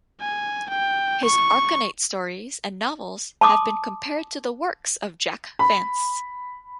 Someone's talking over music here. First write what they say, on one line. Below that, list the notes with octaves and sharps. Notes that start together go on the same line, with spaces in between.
His Archonate stories and novels have been compared to the works of Jack Vance.
G#5
G5
C#6
A5 C6 D6 D#6
B5